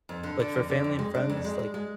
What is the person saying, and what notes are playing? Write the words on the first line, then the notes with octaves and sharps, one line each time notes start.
like for family and friends, like,
F2
D3
D3
F2
D3
F2
G#3
D4
F2
G#3
G#3
G#3